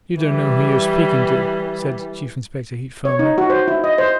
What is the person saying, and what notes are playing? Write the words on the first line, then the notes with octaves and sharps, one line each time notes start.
"You don't know who you're speaking to," said Chief Inspector Heat firmly.
E3 G3
C#5
D#4
F#4
C5
E4
D#5
C5